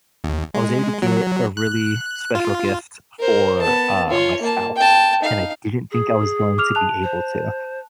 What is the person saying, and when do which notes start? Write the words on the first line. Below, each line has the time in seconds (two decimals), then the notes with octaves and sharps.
I was able to get a really special gift for, uh, my spouse, and I didn't think I was going to be able to.
0.24 D#2
0.54 G#3
1.02 F#3
1.57 F#6
2.35 F4
3.20 A#4 C5
3.62 B3 A5
4.09 F4 C#5
4.42 A#3 A5
4.76 G5 A5
5.22 D#4 F5
5.91 G#4
6.58 D6 F6 F7
6.75 A5 F#6 F7
7.03 C5